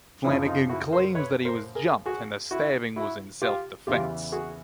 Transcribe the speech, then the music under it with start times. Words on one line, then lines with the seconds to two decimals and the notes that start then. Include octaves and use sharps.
Flanagan claims that he was jumped, and the stabbing was in self-defense.
0.24 F#2 C#3 F3 D4 E4
0.46 D#4 F4
0.69 E4 F#4
0.92 A#4 C5
1.15 B4 C#5
1.45 A#4 C5
1.75 G#4 A#4
2.06 F#4 G#4
2.51 E4 F#4
2.96 E4 F#4
3.42 F4 G4
3.87 E2 C#3 E3 F4 G4
4.32 F#4 G#4